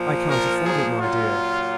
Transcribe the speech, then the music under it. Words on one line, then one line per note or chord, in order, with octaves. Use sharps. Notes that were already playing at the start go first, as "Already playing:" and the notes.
"I can't afford it, my dear."
Already playing: A#2 F3
A#4
G#4
A#2 F#3 F4